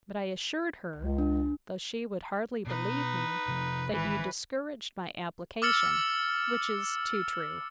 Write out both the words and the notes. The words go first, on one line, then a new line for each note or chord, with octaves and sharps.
But I assured her, though she would hardly believe me, that you discouraged my application: which is too true!
C#2
D4
B2 D#4 B4
C3 F3
A1 D#3 E3 G#3 B4
D6 E6 F6 A6 C#7 F#7